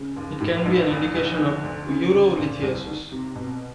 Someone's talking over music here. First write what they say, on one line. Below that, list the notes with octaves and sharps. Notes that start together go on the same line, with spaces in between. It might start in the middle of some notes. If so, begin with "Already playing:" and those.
It can be an indication of urolithiasis.
Already playing: C#3
D#2
A2
A#1
E2
F1
D3
D2
C#3
D2
A#2
C2
D#3
C3
B2